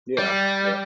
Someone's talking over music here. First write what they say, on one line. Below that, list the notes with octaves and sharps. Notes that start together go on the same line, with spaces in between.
Yeah. Yeah.
G3